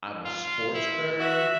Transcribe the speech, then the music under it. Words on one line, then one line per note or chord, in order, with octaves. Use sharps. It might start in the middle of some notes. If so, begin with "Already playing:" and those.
I'm a sports nerd
F4
E4
F#4 E5